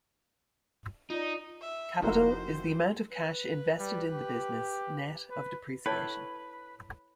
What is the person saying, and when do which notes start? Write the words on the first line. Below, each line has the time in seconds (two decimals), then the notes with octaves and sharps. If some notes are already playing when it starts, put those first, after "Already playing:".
Capital is the amount of cash invested in the business, net of depreciation.
1.10 D#4 F4 D5
1.61 E5
2.02 F1 F2 D#4 E4 F#4 A#4 C5 F#5
3.11 B4
3.80 G3
4.14 G4
5.31 B4
5.86 E4 A4 B4 C#5 G5